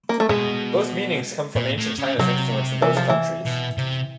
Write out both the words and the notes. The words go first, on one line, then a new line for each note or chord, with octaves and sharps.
Both meanings come from ancient China's influence in both countries.
A#3
A3
B2 G#3
A#2
A2
C#3
C3 F#3
E3
F3
E3
B2
C3